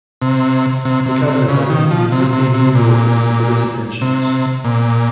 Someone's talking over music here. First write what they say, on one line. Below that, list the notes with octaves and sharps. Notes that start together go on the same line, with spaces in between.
The cabinet has implemented a new law for disability pensions.
C3
C3
C3
C3
C#3
D#3
F3
C3
C3
C3
A#2
C3
A#2